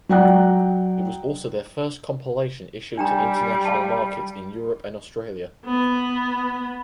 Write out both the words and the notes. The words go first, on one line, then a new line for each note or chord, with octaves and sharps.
It was also their first compilation issued to international markets in Europe and Australia.
F#3 D5 F#5 G5 A#5 F#6
G3 D4 G5 A#5
F5 A5
B3